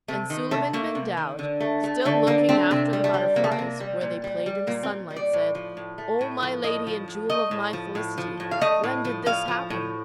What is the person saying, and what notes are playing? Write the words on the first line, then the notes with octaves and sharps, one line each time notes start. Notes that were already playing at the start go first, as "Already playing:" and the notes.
And Suleiman-bin-Daoud, still looking after the Butterflies where they played in the sunlight, said, 'O my Lady and Jewel of my Felicity, when did this happen?
C3 A3
D#3
C3 A3
A3 A#3
C3
D#3
D3
A3
A3
D3 A3
D3 A#3
A3 C4
C3 C4
G3
A3
G3
C3 A#3
A3
A#3
C3
G3
A#2
G3
G3
A#2 A#3
C4
A#2
G3
D5
A2
F3
A2
A3
A2
F3
A2 D#5
F3
A2
A3 D#5
A2
F3
A2
F3
A2
F5
A3 D#5
A2
F3
A2 F5
F3
A2